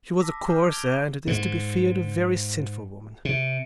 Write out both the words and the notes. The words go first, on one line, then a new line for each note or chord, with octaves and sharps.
She was a coarse and, it is to be feared, a very sinful woman.
A5 B5 D6 E6 A#6 B6
A#5 D6 F6 G6 C7
G#6 D7 F7 G7
G#2
C3